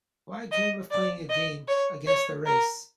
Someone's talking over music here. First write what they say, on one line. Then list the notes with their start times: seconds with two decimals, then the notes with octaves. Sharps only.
Why dream of playing a game against the race?
0.52 D#5
0.91 D5
1.30 D#5
1.68 C#5
2.07 C#5
2.46 A#4